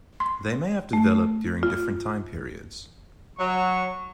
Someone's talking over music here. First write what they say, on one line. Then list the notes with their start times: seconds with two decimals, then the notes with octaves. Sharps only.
They may have developed during different time periods.
0.20 C6
0.93 A3
1.63 F4
3.39 F#3 C#6